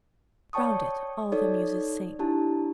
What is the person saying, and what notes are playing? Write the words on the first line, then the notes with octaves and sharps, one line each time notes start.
Round it all the Muses sing.
C#5 D5 G5 A5 C#6 D#6
D#4 A4 C#5 D5
D4 E4 G4 A5